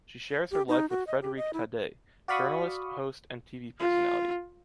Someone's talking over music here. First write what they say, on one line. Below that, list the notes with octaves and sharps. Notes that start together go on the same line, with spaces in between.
She shares her life with Frédéric Taddeï, journalist, host and TV personality.
G4
D#4
F#4
D#5
G4
D#5
E4
F#4 D5 F5 B5 C#6 D#6
F4